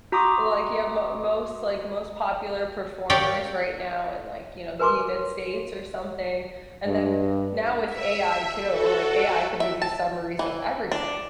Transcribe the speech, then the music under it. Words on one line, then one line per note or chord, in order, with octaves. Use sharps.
like, yeah, mo most, like, most popular performers right now in, like, you know, the unit states or something. And then, now, with AI too, like, AI could give you summaries of everything,
F#4 A#5 C6 D6 D#6
G4 A#4 C#5 D5 F5 G5
A#4 B4 G#5 C6 D6
G2
E5
F#4 A4
E5
A5
E3
D4